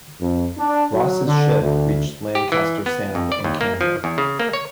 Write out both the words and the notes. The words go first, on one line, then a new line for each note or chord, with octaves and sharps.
Ross's ship reached Lancaster Sound in Canada.
F2
D4
F#3
D3
D2
G4
E3
B3
F2
D5
D#2
A#3
F3
E2
C#3
A#3
C#5